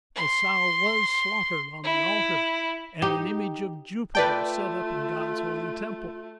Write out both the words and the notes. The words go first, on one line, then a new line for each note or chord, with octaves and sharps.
A sow was slaughtered on the altar, and an image of Jupiter set up in God's Holy Temple.
C6
E4
D#4 G4
A3 F4 B4 D5 G5 A5